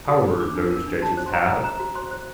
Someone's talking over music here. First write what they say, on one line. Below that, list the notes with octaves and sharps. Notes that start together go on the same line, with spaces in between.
Power those judges have.
F#4 D#6
D4
D4 D6
D4
A#4
D4
F#4 A5
C5
C6
C5 A#5
F#4
C5 A#5
F#4
C5 C6
C5